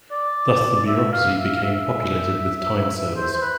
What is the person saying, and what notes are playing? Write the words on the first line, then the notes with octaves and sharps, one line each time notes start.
Thus the bureaucracy became populated with time servers.
D5
E5
F5
E5
F5
E5
C5
C5
B4